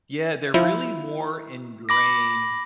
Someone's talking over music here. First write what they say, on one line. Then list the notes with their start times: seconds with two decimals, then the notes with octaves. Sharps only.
Yeah. They're really more ingrained
0.54 F3 E4
1.89 B5 D6 A#6